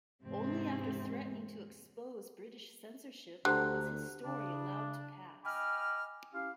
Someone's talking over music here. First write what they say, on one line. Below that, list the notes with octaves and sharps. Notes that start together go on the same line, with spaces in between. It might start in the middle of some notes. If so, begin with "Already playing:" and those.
Only after threatening to expose British censorship was his story allowed to pass.
E2 G#2 C3 C4
D2 D3 G4 C5 A#5 F#6
C#3 D4
D#5 G5 G#5 B5 D6 F6
C#4 E4 G4 F5